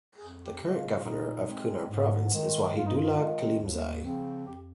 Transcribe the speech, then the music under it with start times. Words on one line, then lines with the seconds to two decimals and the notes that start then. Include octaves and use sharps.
The current governor of Kunar province is Wahidullah Kalimzai.
0.18 F2 G#4
0.46 G4
0.60 C#3 G#3
0.74 F4
0.98 F4
1.03 A#2 D#4
1.47 G#3 C4
1.90 G#2
2.33 D#3 G#3
2.75 G2 F4
2.86 D#4
2.95 F4
3.17 D#3 G#3
3.61 D#2
4.04 C#3 F3 C4
4.47 F2 G4